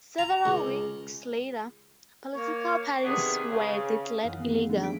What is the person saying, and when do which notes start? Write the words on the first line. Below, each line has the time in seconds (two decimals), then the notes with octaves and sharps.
Several weeks later, political parties were declared illegal.
0.18 A#5
0.45 C#2
2.35 A#3 C#5
3.04 C3 D#3 B3 D4 G#4
3.50 C#3
4.22 F#2 E3 D#4 F5 F#5
4.38 D#3 B3 G#4
4.51 A3
4.69 D3 F3 G#3 C4 D4 D#4
4.82 E4 B6 D7